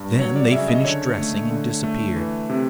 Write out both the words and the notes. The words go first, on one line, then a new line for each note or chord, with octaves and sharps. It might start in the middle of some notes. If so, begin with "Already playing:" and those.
Then they finished dressing and disappeared.
Already playing: G2
F#3 C#5
D5
C#3 E5
D#5
D3 C#5
A3
D3
A3
E3
C3